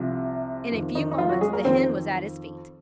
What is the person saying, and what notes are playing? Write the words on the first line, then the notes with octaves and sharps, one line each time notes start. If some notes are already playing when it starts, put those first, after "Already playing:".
In a few moments the hen was at his feet.
Already playing: C2 C3 F3
F2 D#3
D#3 D#4
D#4
F3 F4
F#3 F#4
G#3 G#4
A#3 A#4
F2 D#3 C4 C5